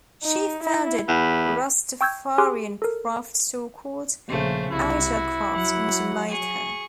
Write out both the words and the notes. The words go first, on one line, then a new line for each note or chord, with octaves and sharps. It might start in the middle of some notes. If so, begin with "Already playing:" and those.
She founded a Rastafarian craft store called "Ital Craft" in Jamaica.
D#4
E4
E2 B5
G5 C#6 E6 G6 G#6
G4 G#4 G#5 C6 D6 F#6
A4 A#4
A#1 C#3 A3 C5
C2 E4 F#4
F#3 F#5
G#4 C#6